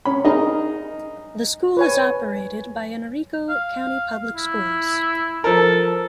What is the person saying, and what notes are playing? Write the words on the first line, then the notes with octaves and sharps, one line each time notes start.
The school is operated by Henrico County Public Schools.
C#4 B5
D#4 G#4 A#4 D#5
B4 C#5 G#5
F5
E4
F3 A4 A#4